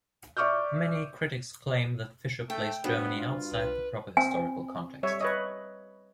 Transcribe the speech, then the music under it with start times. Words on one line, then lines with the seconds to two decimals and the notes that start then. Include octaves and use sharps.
Many critics claim that Fischer placed Germany outside the proper historical context.
0.37 D5 E5 C#6 D6 F6 G6
2.50 A3 G5
2.84 G2 B3 D4 F#4 C5
3.19 F4
3.52 C2 B4
4.17 C4 G#5
5.03 G3 C#5 E5
5.21 B4 C#5 D#5